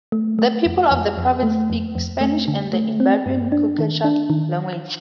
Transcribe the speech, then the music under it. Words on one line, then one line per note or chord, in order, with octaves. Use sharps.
The people of the province speak Spanish and the Imbaburan Quechua language.
A3
A3
F2
F2
F2
A3
F2
F2
A3
D3
A3
C4
G2
D4
D#3
D4
D#3